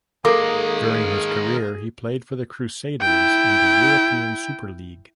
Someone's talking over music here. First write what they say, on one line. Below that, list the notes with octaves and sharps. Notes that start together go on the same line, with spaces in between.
During his career, he played for the Crusaders in the European Super League.
D#3 G#3 A#3 G#4 A4 D6
E4 G5